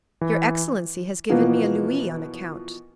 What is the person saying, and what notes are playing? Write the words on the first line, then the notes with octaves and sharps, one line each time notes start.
"Your excellency has given me a louis on account."
E3
B2 E3 F3 A#3 B3